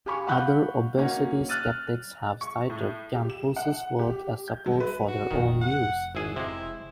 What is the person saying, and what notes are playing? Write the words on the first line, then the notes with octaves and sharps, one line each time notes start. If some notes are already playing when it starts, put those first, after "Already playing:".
Other obesity skeptics have cited Campos's work as support for their own views.
G4 F5 G#5 B5 C#6
F5 F#5 B5 C#6 F#6 G6
A#3 C#4 D#4 F#4
F6 F#6 A6 D#7
C#6
A2
G4
E7
F#5
G4
G6
F#3
B4
F#4
F1 D#3 C4
F#5
G#1 E4 G#4
C3 G#3 E4